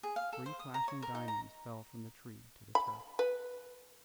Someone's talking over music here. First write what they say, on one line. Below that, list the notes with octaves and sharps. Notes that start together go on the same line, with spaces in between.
Three flashing diamonds fell from the tree to the turf.
G#4
F5
A4
C5
D#6
A#5
C#5
A#4
D#4
A#5
B5
B4